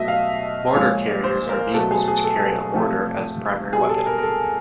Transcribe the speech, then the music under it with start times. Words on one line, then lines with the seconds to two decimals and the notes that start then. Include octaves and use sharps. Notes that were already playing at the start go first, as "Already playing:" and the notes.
Mortar carriers are vehicles which carry a mortar as a primary weapon.
Already playing: B2 F#3 A3 D#5 E5
0.08 F5
0.74 A#2 F3 G#3 C#5
1.24 C5
1.49 A#4
1.73 B2 F#3 A3 A4
1.91 G#4
2.08 G#4
2.24 A4
2.74 C3 F3 A3
3.72 B2 G3 G#4
3.89 A4
4.06 A#4
4.18 A#4
4.23 A4